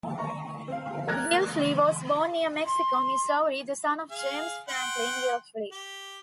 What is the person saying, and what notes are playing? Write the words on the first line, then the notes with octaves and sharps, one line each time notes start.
Wilfley was born near Mexico, Missouri, the son of James Franklin Wilfley.
A#5 C#6
C4 F5
A#4 D5 A#5 F#6 G#6 A#6
C6
G#4 F5
F#5 G5 C6
G4